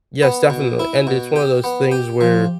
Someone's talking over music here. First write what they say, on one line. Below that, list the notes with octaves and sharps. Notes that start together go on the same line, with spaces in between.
Yes, definitely, and it's one of those things where,
B3
B2
E4
B2
G4
B3
G4
F3